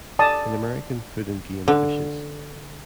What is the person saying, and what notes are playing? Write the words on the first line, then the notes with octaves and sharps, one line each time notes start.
In American Food and Game Fishes.
D5 A5 D#6
D3